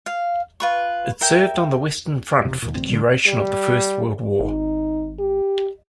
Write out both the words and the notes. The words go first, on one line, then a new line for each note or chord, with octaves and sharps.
It served on the Western Front for the duration of the First World War.
F5
F4 B4 C#6
A#4 E5 G5
E1 C3
D#2 A#2
A1 D2 C4
D3 G3
G3
G#1 D#4
G4